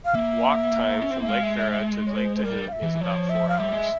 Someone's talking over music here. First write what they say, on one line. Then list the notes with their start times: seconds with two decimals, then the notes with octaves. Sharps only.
Walk time from Lake Vera to Lake Tahune is about four hours.
0.05 F5
0.15 A#3 E5
1.02 C#4
1.11 C4
1.20 A#3 E5
1.28 G#3 F5
1.43 E5
1.58 E5
1.72 E5
2.07 C#5
2.15 C5
2.36 C5
2.44 G3 A#4
2.67 F5
2.72 E5
2.82 E3
2.96 E3
3.01 F3 C#5
3.29 E5
3.49 F5
3.58 G3 E5
3.73 G#3